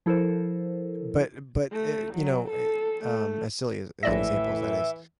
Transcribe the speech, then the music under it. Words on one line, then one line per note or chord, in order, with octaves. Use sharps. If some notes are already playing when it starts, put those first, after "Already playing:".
but but, uh, you know, eh, um, as silly as as an example as that is,
F3 E4 A4 A#4 C5
A3
F#3
A4
A3
A#1 A2 E3 D5 E5 A#6